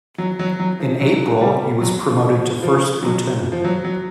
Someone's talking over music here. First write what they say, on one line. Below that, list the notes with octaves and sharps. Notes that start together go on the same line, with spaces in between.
In April, he was promoted to first lieutenant.
F#3
F#3
F#3
F3
F#3
G3
F#3
F3
F3
F3
F#3
F3
F#3
F#3